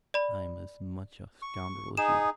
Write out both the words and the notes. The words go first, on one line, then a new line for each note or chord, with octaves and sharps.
I am as much a scoundrel as you.
D5 B5
C#6
D#4 G#4 E7